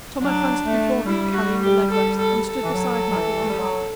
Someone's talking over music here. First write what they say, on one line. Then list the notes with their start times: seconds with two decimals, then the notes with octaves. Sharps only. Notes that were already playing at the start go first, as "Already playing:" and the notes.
Tom advanced before him, carrying the leg-rest, and stood beside Maggie on the hearth.
0.22 F#3 D4
0.65 A3
1.06 G3 E4
1.34 F#4
1.63 G4
1.90 A4
2.18 A4
2.46 A4
2.63 E3
2.74 F#3
3.10 F#3
3.15 E3
3.41 A3
3.49 G3
3.58 F#3